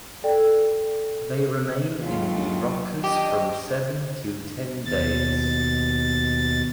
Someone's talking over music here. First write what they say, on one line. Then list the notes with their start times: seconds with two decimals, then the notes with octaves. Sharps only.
They remain in the rockers from seven to ten days.
0.24 A4 D5 G5
2.01 D#2 A2 F#3 G#3 F4
3.04 D4 G4 D#5
4.86 D#2 B2 A6